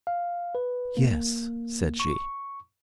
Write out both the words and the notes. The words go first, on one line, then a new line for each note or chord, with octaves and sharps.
"Yes," said she.
F5
B4
A#3
C#6